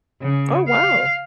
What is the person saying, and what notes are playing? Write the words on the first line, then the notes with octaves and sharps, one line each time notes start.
Oh, wow.
C#3
F5